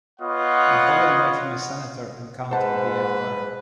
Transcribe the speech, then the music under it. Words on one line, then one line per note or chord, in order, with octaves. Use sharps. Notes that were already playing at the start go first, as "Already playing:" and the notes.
Napoleon made him a senator and count of the empire.
B3 F4 C#5 D#5 F#5
G#2 B4 C5 F#5 A5